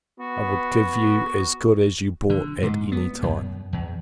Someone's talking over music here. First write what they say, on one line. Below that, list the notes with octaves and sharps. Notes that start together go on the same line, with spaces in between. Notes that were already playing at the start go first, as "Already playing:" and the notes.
I would give you as good as you brought, at any time.
B3 F#4
D3
G#2
B3
F#2
E2